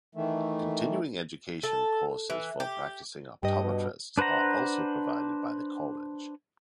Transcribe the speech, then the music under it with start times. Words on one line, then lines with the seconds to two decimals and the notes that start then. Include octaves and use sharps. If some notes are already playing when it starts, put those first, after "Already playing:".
Continuing education courses for practicing optometrists are also provided by the College.
0.15 D#3 E3 A3
1.63 A4
2.30 E3
2.60 G4
3.43 G2 G4 D#5
3.63 B2
4.18 D4 B4 C5 F#5 A#5